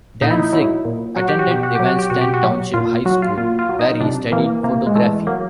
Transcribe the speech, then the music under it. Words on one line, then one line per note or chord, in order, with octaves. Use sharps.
Dantzig attended Evanston Township High School where he studied photography.
A#2 D#4
E4
D#4
F#3 E4
A#2
F#3 F#4
G4
F#4
B2 G4
F#4
F#3 G4
F#4
G4
B2 F#4
G4
F#4
F#3
A#2 F4
F#3 F#4
F4
A#2 F4
F4
F#3
D#4
C3 D4
E3 A#3
C3 A#3
G#3
E3 A3
F#3 A#3